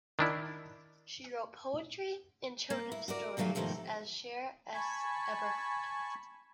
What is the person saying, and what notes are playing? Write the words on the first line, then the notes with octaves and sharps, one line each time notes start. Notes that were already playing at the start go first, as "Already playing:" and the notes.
She wrote poetry and children's stories as Sheri S. Eberhart.
D#3 D4 E4
A#3
E4
F#4 A#4 D5
F2 D#3 F#3 A3 F5 G#5
G#2 B2 D#3 F3 A3 G4
G#5 A5 B5 C#6